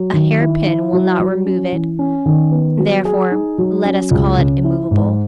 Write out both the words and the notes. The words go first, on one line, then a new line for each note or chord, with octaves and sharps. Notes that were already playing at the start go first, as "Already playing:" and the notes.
A hairpin will not remove it; therefore let us call it immovable.
Already playing: F#3
D#3
E4
E4
F#3
F#3
C#4
E3
C#4
D#3
B3
F#3
G#4
D#4
F#3
C#4
C#2
C#3
E4
G#2